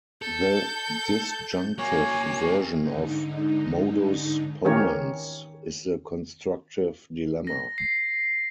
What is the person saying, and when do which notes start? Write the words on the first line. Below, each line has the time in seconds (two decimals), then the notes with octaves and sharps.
The disjunctive version of "modus ponens" is the constructive dilemma.
0.22 A4 G6
1.78 F#3 A#3 C#5 G#5
2.79 G#2 D3 D#4
4.65 D#3 E3 C#4 G4 A#4 C#5
7.47 A#6
7.78 C7